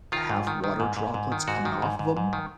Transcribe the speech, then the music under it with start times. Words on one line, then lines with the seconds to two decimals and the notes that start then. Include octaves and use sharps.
have water droplets coming off of 'em.
0.12 D#3 F4
0.29 G#2
0.47 D#3
0.64 D#3
0.80 G#2
0.97 G#2
1.14 G#2
1.32 D#3
1.48 G#2 F#4
1.65 D#3
1.82 G#2
1.99 G#2
2.17 G#2
2.33 D#3